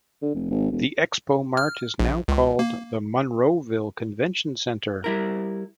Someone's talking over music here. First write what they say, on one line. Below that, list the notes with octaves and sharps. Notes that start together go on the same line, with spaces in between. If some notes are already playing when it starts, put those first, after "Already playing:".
The ExpoMart is now called the Monroeville Convention Center.
D3
F1
G#1
E1
F6
A#1
C#2
A#3
G3 E4 A#4